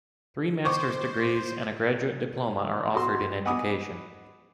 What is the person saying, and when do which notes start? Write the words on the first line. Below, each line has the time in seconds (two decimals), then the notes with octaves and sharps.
Three master's degrees and a graduate diploma are offered in education.
0.65 C5 C#6 D6
2.94 F#4 A4 C6
3.45 D#5 F#5 G#5 B5 D6 D#6